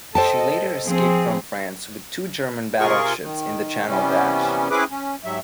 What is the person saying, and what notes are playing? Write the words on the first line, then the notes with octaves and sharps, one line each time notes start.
She later escaped from France with two other German battleships in the Channel Dash.
A4 C5 D#5 G5 A5
F3 C4 G#4
C3 F4 G#4 A#4 C#6
D#3
C3 E3 G3 B3 C#4
C4 C#4 E4 G#4 B4 D6
C#4
G#2 F#3 G3 E5